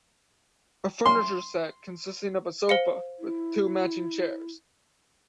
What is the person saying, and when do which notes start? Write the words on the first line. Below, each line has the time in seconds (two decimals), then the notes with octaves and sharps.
A furniture set consisting of a sofa with two matching chairs.
1.06 C6
2.69 C5 F5 C#7
3.19 E4